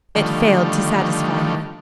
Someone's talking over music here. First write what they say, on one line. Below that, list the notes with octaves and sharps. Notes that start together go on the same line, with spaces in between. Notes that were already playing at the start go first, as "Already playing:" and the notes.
It failed to satisfy her.
D3 D#3 F3 G3 A3